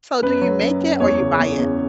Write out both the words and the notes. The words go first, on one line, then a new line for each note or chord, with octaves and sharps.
So do you make it or you buy it?
F#2 B4
F#3
F#2
F#2
E2 C#5
C#3
E2
E2